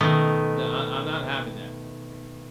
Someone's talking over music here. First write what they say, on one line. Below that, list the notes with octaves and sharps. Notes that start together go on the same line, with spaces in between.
n I I'm not having that."
B2 D#3 A3